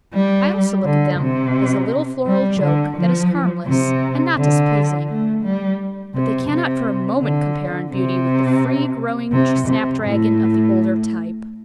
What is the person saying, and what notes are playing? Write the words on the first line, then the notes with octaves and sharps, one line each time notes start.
I also look at them as a little floral joke that is harmless and not displeasing, but they cannot for a moment compare in beauty with the free-growing Snapdragon of the older type.
G3
D3
C3
G3
D3
F3
C3
D3
A3
G3
C3
C3
D3
C3
C3
C3
A2